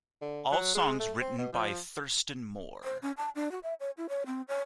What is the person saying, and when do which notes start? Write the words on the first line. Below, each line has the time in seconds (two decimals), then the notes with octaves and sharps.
All songs written by Thurston Moore.
0.21 D3
0.52 F#3
0.75 G#3
0.99 A3
1.20 C4
1.39 B2
1.53 F3
2.84 C5
3.02 C#4
3.17 A5
3.35 D4
3.51 F#4
3.63 E5
3.80 C#5
3.97 E4
4.09 C#5
4.26 C4
4.48 C#5